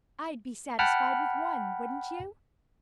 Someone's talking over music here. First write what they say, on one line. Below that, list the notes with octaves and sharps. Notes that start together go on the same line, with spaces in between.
I'd be satisfied with one, wouldn't you?
F#5 G5 A5 B5 F6